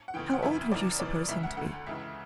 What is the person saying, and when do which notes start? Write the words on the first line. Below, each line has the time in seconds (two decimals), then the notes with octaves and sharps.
"How old would you suppose him to be?"
0.08 F#5
0.14 D2 C#3 E3 G5
0.33 F#5
0.42 F#2 C#3 E3 E5
0.72 E2 C#3 E3 D5
1.00 F#2 C#3 E3 D5
1.28 C#2 C#3 E3 E5
1.43 F#5
1.57 D2 D3 F#5
1.86 C#2 C#3 E3 E5